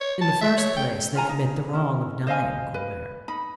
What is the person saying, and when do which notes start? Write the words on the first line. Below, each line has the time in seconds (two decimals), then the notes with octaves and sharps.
"In the first place, they commit the wrong of dying, Colbert."
0.01 C#5
0.21 A5
0.41 E5
0.58 C#5
0.77 G5
1.15 F4 C#5 G#5 A#5
1.29 D#4
1.73 C#4 E4
2.27 C5 D#5 F5 G#5
2.74 B4
3.28 D#4 B5